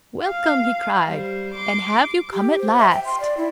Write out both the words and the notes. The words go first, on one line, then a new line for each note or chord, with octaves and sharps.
"Welcome!" he cried; "and have you come at last?"
F5
G3 C5
C6 D6
G4
C5
E5
G5
C6
D5
E4